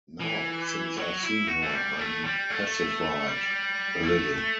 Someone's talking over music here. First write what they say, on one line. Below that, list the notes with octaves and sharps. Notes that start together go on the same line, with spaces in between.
Now, since I’ve seen her, I’m pacified — a little.
E3
F#3
E4
F#4
A3
G3
A3
G3
A3
G3
A3